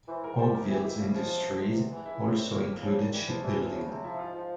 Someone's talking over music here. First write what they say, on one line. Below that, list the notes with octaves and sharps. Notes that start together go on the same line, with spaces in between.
Oakville's industries also included shipbuilding.
E3 C5
G#2 A#4
G3 C5
C3 A#4
G#4
E3
G4
F2 E4
C#3 G3
F2 F3
C3 F3
E2
C3 G#3
E2
E3
C#2 E4
C3 C#4
A#2 C4
F3 A#3
F2 G3
C#3 F3
A#2
E3 G3
E2 F3
E3 G3
E2 F3
C#3 F3
C3 C4
F3 E4
G#2 F4
F3